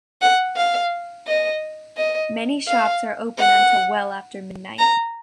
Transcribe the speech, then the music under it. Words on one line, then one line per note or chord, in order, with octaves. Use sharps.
Many shops are open until well after midnight.
F#5
F5
D#5
D#5
F5
F#5
A#5